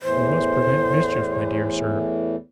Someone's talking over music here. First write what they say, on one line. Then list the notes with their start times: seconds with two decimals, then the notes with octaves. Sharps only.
You must prevent mischief, my dear Sir.
0.02 E2 A2 E3 C5